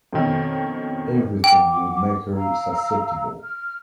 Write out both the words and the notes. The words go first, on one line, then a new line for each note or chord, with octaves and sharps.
Everything would make her susceptible.
F2 B2 D#3 C#4
F#5 G5 D6
F5 A#5 E6
F6